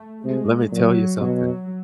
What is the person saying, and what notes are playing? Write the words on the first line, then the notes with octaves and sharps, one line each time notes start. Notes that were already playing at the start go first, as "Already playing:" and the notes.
Let me tell you something."
Already playing: A3
C3 G#3
A#2 F#3
B2 F#3